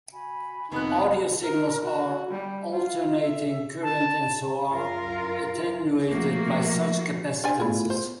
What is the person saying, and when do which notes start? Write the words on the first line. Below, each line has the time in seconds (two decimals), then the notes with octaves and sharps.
Audio signals are alternating current and so are attenuated by such capacitances.
0.13 F#4 G#5 B5
0.72 F1 C3 B3 D#4 F#6
1.43 A#4
1.83 F#4
2.30 G3
2.72 F4
3.23 E5
3.83 A5
4.72 F#2 F4 A#4
6.09 F3 A3 A#3 F#4
7.44 D4 C5 D5 G#5
7.60 A3 B3 E4 F4 G#4
7.90 C5